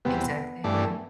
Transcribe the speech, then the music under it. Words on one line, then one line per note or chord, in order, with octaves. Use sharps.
Exactly, yeah,
E2 C3 G3 B3
G2 E3 A3 D4